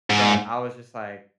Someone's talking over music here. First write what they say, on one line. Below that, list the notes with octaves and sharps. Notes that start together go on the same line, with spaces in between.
but I was just, like,
G#2